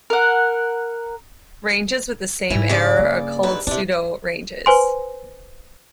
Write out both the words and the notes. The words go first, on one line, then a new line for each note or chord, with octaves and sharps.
Ranges with the same error are called pseudoranges.
A#4 F#5
G#2 E3 F4
G2 C#3 D5
A#3
G#2 D3 B4
C3 D4 E4
B4 C5 G#5 C6